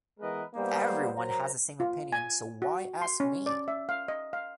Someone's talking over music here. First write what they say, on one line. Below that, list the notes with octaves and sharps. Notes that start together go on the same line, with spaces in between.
Everyone has the same opinion, so why ask me?
E3 G#3 B3 A#4 B4 D#5
G3 A#3 B3 D#4 C5
F#3 A#4 C5 A#5
F4
G#5
F#4
C6
C#4
D5
E5
F5
D#5
F5